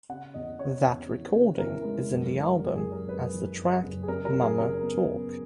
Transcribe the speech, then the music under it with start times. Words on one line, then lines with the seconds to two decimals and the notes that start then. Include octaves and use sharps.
That recording is in the album as the track "Momma Talk".
0.09 C#3 F#5
0.34 E2 D#5
0.59 C#3 C#5
0.85 E2
1.09 E3
1.34 C#3
1.59 E3 A#4
1.84 G#3
2.09 F#1
2.33 E3
2.58 F#1 A#4
2.76 G#4
2.83 F#1
2.92 A#4
3.08 F#1 B4
3.34 E3
3.58 F#1
3.83 F#1
4.03 G#4
4.08 C#3 A#4
4.25 A#4
4.33 F#3
4.41 G#4
4.58 C#3 A#4
4.83 B3
5.08 B3